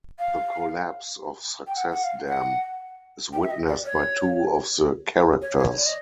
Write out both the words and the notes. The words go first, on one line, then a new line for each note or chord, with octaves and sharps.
The collapse of Success Dam is witnessed by two of the characters.
F5
G5
F#5
F#5
F5
F#5
G5
E5
D#5
D5
C#5
C#5
C#5
D5
D#5